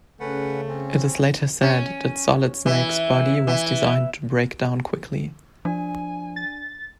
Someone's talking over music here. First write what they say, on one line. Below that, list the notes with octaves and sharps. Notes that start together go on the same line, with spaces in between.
It is later said that Solid Snake's body was designed to break down quickly.
C#3 A3 C#4 B4 F#5
C4 C#4
C#4
E3
E3
F3 D4 G#5
A6